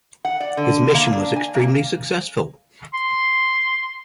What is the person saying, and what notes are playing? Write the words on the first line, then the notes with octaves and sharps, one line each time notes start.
His mission was extremely successful.
F#5
D5
D3
A#3
D4
G#5
A#3
C6